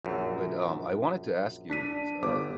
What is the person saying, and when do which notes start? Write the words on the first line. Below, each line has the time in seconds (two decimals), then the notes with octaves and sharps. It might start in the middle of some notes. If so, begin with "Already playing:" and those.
But, um, I wanted to ask you, s uh,
0.05 A#1 F#2
1.70 D4 B6 D#7
2.23 G1 D6